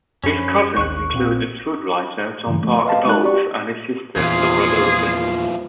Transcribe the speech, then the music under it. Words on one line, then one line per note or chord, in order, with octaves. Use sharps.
His cousins include the food writer Tom Parker Bowles and his sister Laura Lopes.
F#2 F3 C#4 B4
A1 D#2 C#6 F#6
A#1 A#2 C4
G2 C#3 E3
F3 A3
B4 D#5 F5 A5
G#3 D#4 F#6
F#4 G4 D5 C#6
E2 A#2 E3 F3 F4 G#4 F5